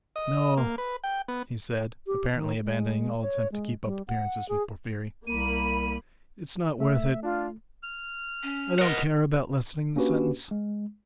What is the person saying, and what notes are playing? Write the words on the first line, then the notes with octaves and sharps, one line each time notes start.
"No!" he said, apparently abandoning all attempt to keep up appearances with Porfiry, "it's not worth it, I don't care about lessening the sentence!"
D#5
A#3
B4
G5
B3
G4
D#3
G#3
C#5
G#3
G3
F#5
G#4
C2 A#3 B5 D#7
A3 E5
D4 F4
F6
C#4
A#4 D#5 F#5
A#3 C#4 D4 F#4 G4 B4
G#3